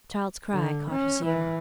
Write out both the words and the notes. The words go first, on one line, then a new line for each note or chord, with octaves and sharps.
A child's cry caught his ear.
D3
C#4
E3